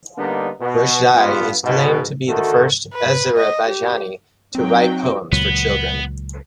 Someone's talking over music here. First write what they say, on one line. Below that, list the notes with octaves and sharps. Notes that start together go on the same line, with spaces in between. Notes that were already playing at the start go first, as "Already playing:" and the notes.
Roshdieh is claimed to be the first Azerbaijani to write poems for children.
D3 G3 A#3 B3 D4 D#4
B2
G2 B3 F4
G#2 B2
D2 D#3 A3 F#4 A4
B4
D#5
G4
F#3 C4 D#4 G5
C#2 A#2 F#3 B3